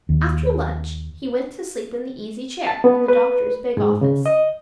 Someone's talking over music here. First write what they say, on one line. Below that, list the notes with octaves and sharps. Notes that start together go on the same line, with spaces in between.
After lunch he went to sleep in the easy-chair in the doctor's big office.
D#2
A5
B3
B4
G#2
C#3
D#5